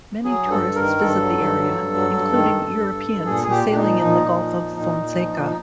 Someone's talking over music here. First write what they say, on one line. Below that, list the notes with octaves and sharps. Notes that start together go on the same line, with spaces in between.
Many tourists visit the area, including Europeans sailing in the Gulf of Fonseca.
F#3 G#4
G2
A4
G2
A#4
D#3
G2 A4
F#3
G2
F#3
G2
F#3
G2
D#3
G2
G2
G2
G2
A#2 G#4
A#2 G#4
G4
A#2
D4
D#4
F3
A#2 D#4
A#2
F3
A#2
A#2 D#4
A#2
F3
A#2
D#4